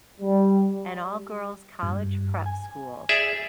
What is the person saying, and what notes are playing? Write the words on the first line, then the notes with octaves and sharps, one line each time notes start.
an all-girls college prep school
G3
G2
G#5
G#4 D5 E5